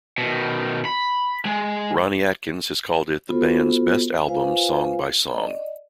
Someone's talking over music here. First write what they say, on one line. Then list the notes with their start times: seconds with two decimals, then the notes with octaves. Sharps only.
Ronnie Atkins has called it the band's "best album song by song".
0.18 B2 D#3
0.85 B5
1.45 G#3 G#4
3.29 B3 F4 F#4 A4 C5
4.28 F4 B4 C5 F5 G#5
5.31 D5 D#5